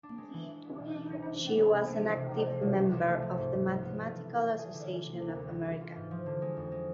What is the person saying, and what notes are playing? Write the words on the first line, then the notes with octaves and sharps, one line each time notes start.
She was an active member of the Mathematical Association of America.
D4
G#3
E3
E3
B3
B2
D4
C2
B3
E3
C3
C3
A3
F3
C3
C3
A3
B2
C2
C2
A3
F3
G#2
G#2
F4
B3
A4
E3
E4
A3
G#4
D3
E3
C3
D2
D2
B3
E3
F4
G#2
F3
D3
G#3
F2
G#3